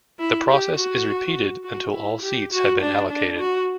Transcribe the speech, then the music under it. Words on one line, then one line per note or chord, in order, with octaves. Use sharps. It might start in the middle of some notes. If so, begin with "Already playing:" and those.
The process is repeated until all seats have been allocated.
E4
G4
F#4
F#4
E4
G4
F#4
D4
D4
F#4